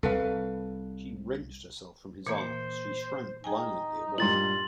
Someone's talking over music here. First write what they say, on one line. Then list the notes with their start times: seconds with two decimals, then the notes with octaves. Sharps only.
She wrenched herself from his arms, she shrank violently away.
0.03 C2 A4 B4 F5
2.27 A#2 E3 A#3 C5
3.44 D#4 G#4 G5 G#5
4.18 G2 A#2 C6 A6 F#7